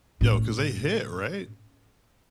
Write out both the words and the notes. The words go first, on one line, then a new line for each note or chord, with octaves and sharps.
Yo, 'cause they hit, right?
A2 C#4